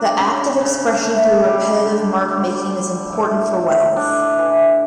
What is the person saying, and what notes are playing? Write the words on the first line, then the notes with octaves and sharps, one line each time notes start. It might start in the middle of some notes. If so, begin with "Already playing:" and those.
The act of expression through repetitive mark making is important for Wells.
Already playing: F#3 D4
C#3
C#3
A3
G3
D3
D3
G3
A2
A3
A2 D4
E3